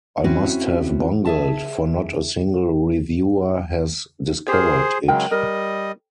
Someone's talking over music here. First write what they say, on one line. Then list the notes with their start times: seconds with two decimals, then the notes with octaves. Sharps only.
I must have bungled, for not a single reviewer has discovered it.
0.24 C4 C#4 E4 F#4
1.25 G#4 E5 A5
4.48 G4 G#4 A#4 C5
5.08 C#3 F#3 G#3 A#4 G5
5.31 G3 A#4 D#5